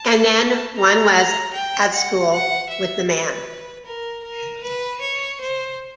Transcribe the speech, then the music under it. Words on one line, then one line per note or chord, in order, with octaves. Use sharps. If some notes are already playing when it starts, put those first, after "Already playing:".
And then one was at school with the man.
Already playing: A5
A#5
A#5
G5
F#5
F#5
E5
B4
A#4
A#4
B4
C#5
C5